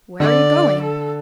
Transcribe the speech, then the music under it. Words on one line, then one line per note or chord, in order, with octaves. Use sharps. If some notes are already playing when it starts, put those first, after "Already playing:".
"Where are you going?"
D3 D5
A4